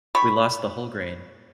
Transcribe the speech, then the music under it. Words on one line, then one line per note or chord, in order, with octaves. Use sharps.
We lost the whole grain.
D#3 B5 C#6